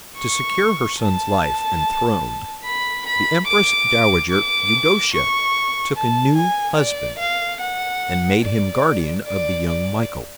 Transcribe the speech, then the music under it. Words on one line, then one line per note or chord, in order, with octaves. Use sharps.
To secure her son's life and throne, the Empress-dowager Eudocia took a new husband, and made him guardian of the young Michael.
C#6
A5
B5
B5
D6
D6
C#6
A5
G#5
D5
F5
F#5
D5
D5
D5